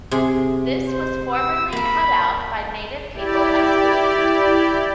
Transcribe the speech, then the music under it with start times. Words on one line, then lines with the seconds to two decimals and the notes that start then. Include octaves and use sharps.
This was formerly cut out by native people as food.
0.11 C3 G#4
0.88 C5
1.32 E6
1.72 A#3 A#4 B5
3.14 E4 G4 D5